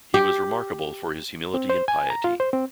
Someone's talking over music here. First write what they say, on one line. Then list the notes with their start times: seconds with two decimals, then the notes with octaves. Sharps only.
He was remarkable for his humility and piety.
0.14 G4
1.54 C4
1.70 C5
1.88 G#5
2.10 A#5
2.24 F4
2.40 C5
2.53 C4